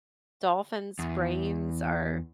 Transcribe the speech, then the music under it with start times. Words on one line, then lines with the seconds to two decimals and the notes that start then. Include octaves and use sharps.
dolphins' brains are
0.99 E2